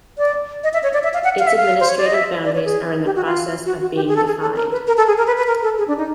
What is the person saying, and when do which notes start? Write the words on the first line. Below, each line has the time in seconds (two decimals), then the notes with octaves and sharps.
Its administrative boundaries are in the process of being defined.
0.18 D5
0.64 D#5
0.74 E5
0.83 C#5
0.93 D5
1.04 E5
1.14 F5
1.24 F#5
1.39 F5
1.47 E5
1.56 F5
1.80 C5
1.89 C#5
1.98 D5
2.06 D#5
2.14 E5
2.45 D5
2.55 C#5
2.65 G#4
3.05 G4
3.16 F#4
3.25 F4
3.66 F#4
3.81 F#4
3.96 G4
4.08 G#4
4.16 A4
4.27 G#4
4.41 A4
4.56 A#4
4.71 B4
4.87 A#4
4.97 A4
5.07 G#4
5.18 A#4
5.27 B4
5.37 B4
5.47 A#4
5.63 A4
5.78 G#4
5.88 D4
5.98 D#4